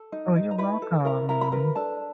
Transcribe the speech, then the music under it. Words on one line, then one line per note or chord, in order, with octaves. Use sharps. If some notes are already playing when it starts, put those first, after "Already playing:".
Oh, you're welcome.
Already playing: A4
D#4
D#4
A#5
E4 B4 B5
A4
E4 A#4 A#5
E4 A#4 A#5
B5
A#4 B4 A#5
D4 A4 A5